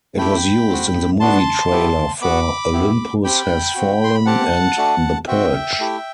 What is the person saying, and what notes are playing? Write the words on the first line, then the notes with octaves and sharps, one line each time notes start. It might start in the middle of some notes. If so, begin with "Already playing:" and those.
It was used in the movie trailer for "Olympus Has Fallen" and "The Purge".
A3 E4 G4 G5 B5
C4 F#4
B3 D4 F#4 A5 C6
B3 E4 G4
B3 F#4 B5 D6
B3 E4 G4
C4 G4 G5 B5
C4 F#4
C6
B5
C4 G4 F#5 A5
A3 D4 F#4
C4 F#4 E5 G5
A3 E4 G4